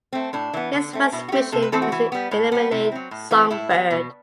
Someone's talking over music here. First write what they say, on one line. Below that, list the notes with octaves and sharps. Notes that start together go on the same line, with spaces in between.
His first mission is to eliminate Songbird.
A3 C4
A2 D4
E3 B3
D3
A3 C4
B2 E4
F#4
A3 C4 G4
C3 A4
B4
E3 A3 C4 A4
F#4
E3
G3 B3
A2
G3 B3
C3 E4
F#3 C4
A2
E3 A3 C4
A2 E4
G3 B3
B2